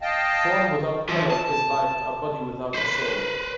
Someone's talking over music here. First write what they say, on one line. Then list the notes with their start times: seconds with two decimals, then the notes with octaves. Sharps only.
Form without colour is like a body without a soul.
0.02 D#5 F5 G5 A5
1.09 E3 F3
1.31 A5
2.74 B4 C5